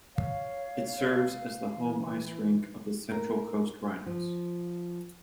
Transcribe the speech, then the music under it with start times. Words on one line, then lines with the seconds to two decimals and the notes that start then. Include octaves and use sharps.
It serves as the home ice rink of the Central Coast Rhinos.
0.16 C#5 F5
1.75 E3
3.12 A#4
4.06 F3